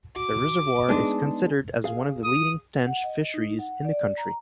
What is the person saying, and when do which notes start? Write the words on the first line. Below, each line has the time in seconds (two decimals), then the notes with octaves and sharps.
The reservoir is considered as one of the leading tench fisheries in the country.
0.16 F#4 D6
0.88 G#3 B3 D4 D#4 G#4
1.84 G#4 F5
2.24 D#6
2.87 F#5
3.04 D#5
3.34 D#4
3.59 F#5
3.85 D5
4.18 A#5